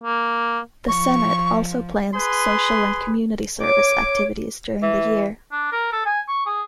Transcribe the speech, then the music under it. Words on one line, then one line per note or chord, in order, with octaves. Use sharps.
The Senate also plans social and community service activities during the year.
A#3
F3 C#6
G#4 B4 C6
C#5 D6
E3
D4
A#4
A4
G#5
C#6
G#4